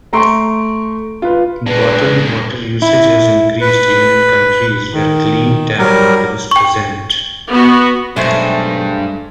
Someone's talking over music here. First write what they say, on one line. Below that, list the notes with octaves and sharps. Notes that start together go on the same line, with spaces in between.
Bottled water usage has increased even in countries where clean tap water is present.
A3 A#5 C6 C#6 D7
F4 B4
G#3 D4 B4
E4
B4
D#3
F#3 G3 A#4
G5 C#6
B3 F#4
B1 G2 G#3 A3 C5